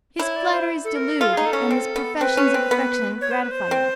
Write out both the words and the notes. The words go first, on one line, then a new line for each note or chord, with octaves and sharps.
His flatteries delude, and his professions of affection gratify you.
E4 C#5
D5
C5
A4
A#4
F4 A4
D#4 G#4
A4
C#4
C4
B3
C4 B4
C#4
C4
B3
C#5
C5
B4
C5
C4